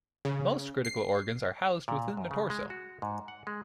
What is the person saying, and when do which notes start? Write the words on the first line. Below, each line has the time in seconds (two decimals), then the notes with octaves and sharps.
Most critical organs are housed within the torso.
0.25 C#3
0.85 C7
1.88 A#2
2.17 F#2
2.31 C#3
2.50 G#3
2.70 F#4
3.02 G#2
3.28 F#5
3.47 G#3